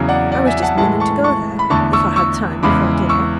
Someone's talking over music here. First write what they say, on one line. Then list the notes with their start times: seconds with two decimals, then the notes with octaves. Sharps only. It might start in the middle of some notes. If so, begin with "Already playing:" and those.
I was just meaning to go there, if I had time, before dinner.'
Already playing: E2 C#3 F#3
0.08 D5 F#5
0.32 D5 F#5
0.46 E5 G#5
0.63 F#5 A5
0.77 A2 E3 G#3 F#5 A5
1.00 A5 C#6
1.24 A5 C#6
1.59 B5
1.70 E2 D3 A3 A5 C#6
1.93 C#6 E6
2.16 C#6 E6
2.63 E2 C#3 E3 G#3 B5 D6
3.09 C#6 E6